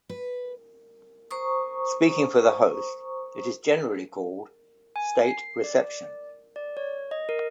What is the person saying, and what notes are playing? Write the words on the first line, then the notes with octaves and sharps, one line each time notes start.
Speaking for the host, it is generally called a "state reception".
B4
C5 A#5 C#6 D#6
G#5
C7
D5
D5
C#5
D#5
A#4